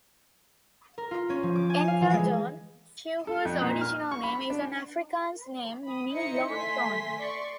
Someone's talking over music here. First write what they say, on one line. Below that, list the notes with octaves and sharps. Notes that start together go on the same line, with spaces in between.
Enkeldoorn, Chivhu's original name, is an Afrikaans name meaning "lone thorn".
A#4
F4
C#4
F3
D6
G#5
F5
E3
G#3
A4
F2
A#2
F6
C#6
B5
D4
B5 D#6
D#4 E4 C5 D#5 E5 C#7
A3 G#5 C6 B6
D5 C6 C#6